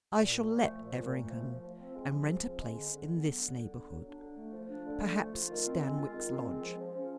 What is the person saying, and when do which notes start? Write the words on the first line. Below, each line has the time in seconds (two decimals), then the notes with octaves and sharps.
I shall let Everingham, and rent a place in this neighbourhood; perhaps Stanwix Lodge.
0.17 A#2
0.34 A#2
0.49 A3
0.66 F3
0.82 A#2
0.98 A#2
1.13 A3
1.30 F3
1.46 F3
1.61 F3
1.79 C4
1.94 G#3
2.10 F3
2.27 F3
2.43 C4
2.59 G#3
2.75 D3
2.91 D3
3.07 B3
3.23 F#3
3.39 D3
3.55 D3
3.72 B3
3.88 F#3
4.04 D4
4.21 D3
4.36 A3
4.53 F3
4.69 D4
4.85 D3
5.01 A3
5.17 F3
5.32 F4
5.50 D#3
5.65 C4
5.82 G#3
5.98 F4
6.13 D#3
6.30 C4
6.45 G#3
6.62 F3
6.79 F3
6.94 C#4